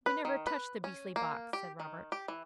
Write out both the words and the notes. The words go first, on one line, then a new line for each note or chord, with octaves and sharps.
'We never touched the beastly box,' said Robert.
B4
D#3
B4
C#4
A#3
G4
D#3
G4
E3